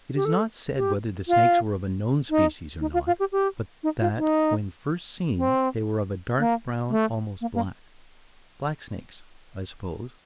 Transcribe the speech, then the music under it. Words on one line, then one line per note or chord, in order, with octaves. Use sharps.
It is not said whether the snakes were of a known species or not, but that "when first seen, they were of a dark brown, almost black." Blacksnakes, I suppose.
G4
A4
G4
F4
D#4
D#4
F4
F4
G4
G4
D#4
F4
D#4
C4
A#3
A3
A#3
A#3